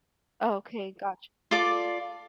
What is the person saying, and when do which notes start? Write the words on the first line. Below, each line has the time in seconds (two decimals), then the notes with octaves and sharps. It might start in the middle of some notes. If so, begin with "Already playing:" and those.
Okay, gotcha.
1.51 F4 A4 D5 D6